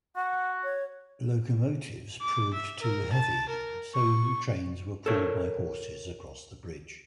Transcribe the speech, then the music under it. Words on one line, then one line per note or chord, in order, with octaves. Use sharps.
Locomotives proved too heavy, so trains were pulled by horses across the bridge.
F#4 F#5
C#5
D6
E5
A#4
A5
A#4
C#6
A4 A#4 C#5